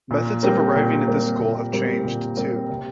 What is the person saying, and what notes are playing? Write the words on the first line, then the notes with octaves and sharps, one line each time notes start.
Methods of arriving at this goal have changed, too.
A#2
G3 C4 A#4
A#2
G3 C4 A#4
A#2
G3 C4 A#4
A#2
G3 C4 A#4
C3